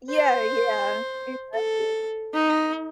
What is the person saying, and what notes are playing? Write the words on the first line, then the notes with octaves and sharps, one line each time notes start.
Yeah, yeah. Exactly.
C5
A4
D#4